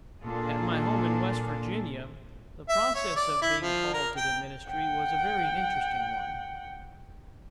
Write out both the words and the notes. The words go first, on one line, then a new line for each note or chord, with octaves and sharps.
At my home in West Virginia the process of being called to the ministry was a very interesting one.
A#2 A#3 D4 F4 G#4 A4
E5
C#5
D5
E4
F3
A#4
G5
F#5 G5